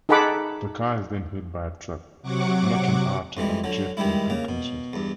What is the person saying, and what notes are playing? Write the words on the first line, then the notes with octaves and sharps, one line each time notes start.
The car is then hit by a truck, knocking Arthur and Jeffrey unconscious.
D#4 G#4 A4 F#5 B5 D6
C3 F#3 F#5 C#6 D6
F2 E3 G3 G#3
D3 F#3
G2 D#3 G3 G#3 E4
C#3 A#3
B2
E2 G2